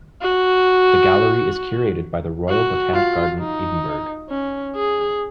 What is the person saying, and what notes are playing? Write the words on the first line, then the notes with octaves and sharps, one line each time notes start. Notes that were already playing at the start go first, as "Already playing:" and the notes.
The gallery is curated by the Royal Botanic Garden Edinburgh.
F#4
F#4
F4
D#4
C#4
G#4